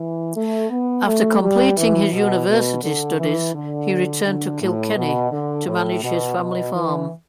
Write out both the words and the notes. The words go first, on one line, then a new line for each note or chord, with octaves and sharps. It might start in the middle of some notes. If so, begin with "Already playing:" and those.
After completing his university studies, he returned to Kilkenny to manage his family farm.
Already playing: E3
A3
B3
A3
G3
E3
B2
B2
D3
E3
D3
D3
A2
B2
D3
A2
B2
B2
E3